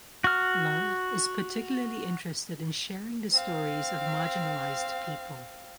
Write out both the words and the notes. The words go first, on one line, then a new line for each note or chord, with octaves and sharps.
Love is particularly interested in sharing the stories of marginalized people.
F#4 F6
C4 F5